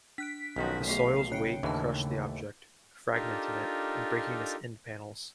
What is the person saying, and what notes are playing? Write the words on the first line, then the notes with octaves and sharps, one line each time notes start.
The soil's weight crushed the object, fragmenting it and breaking its end panels.
D4 F#6 B6 D7
B1 D#3 F3 C#4 F#4
A3 B3 G#4 F5
A#2 C#3 G5 F#6 C7 C#7
D#2 A2 E3 A3 D4 A5
D4 D#4 F4 G4 A4 A#4